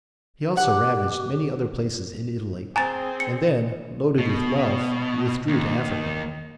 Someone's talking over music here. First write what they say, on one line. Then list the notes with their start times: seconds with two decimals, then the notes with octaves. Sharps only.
He also ravaged many other places in Italy, and then, loaded with wealth, withdrew to Africa.
0.57 G4 F#5
2.76 C4 G#4 G#5 A#5 A6
3.20 C#7
4.18 B2
5.48 D#2